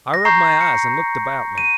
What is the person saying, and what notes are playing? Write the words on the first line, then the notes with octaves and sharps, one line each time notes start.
I rubbed my eyes and looked about me.
A#6
A#5 C#6 G6 C7
C#7
D#7